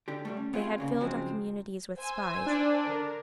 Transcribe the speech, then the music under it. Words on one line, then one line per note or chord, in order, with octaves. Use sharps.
They had filled our communities with spies.
D3 G4
D2 G3 A3
C#4
B3 C4 F4 G4 G#4
D2 C#3 A#3
C#3 F3 F#3 G#3 C4
C5 G#5 E6
D4
D3 A#4